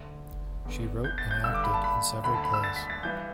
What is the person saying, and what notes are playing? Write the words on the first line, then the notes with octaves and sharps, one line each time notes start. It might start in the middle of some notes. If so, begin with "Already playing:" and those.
She wrote and acted in several plays.
Already playing: D2 D3
E2 D3
G6
A6
G6
G2 D3 E6
D6
B5
A5
B5
D2 D3 B5
A5
B5
E6
A6
B6
A6
G2 E3 G6